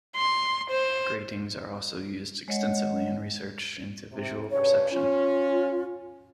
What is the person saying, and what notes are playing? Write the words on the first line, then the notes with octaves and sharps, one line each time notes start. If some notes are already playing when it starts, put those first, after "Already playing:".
Gratings are also used extensively in research into visual perception.
C6
C5
G#3 C#5 D#5 F#5
C3
G2 C#3 C#5
C#4 F4